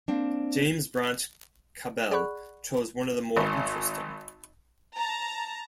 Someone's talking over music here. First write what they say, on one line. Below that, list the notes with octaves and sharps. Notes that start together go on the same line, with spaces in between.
James Branch Cabell chose one of the more interesting.
A#3 C4 D4
G#4 D5 F#5 B5 C#6 F#6
G#1
A5 A#5